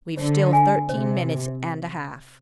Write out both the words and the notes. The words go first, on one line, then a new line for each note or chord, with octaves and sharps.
"We've still thirteen minutes and a half."
D3 C5
G#5
C3 C5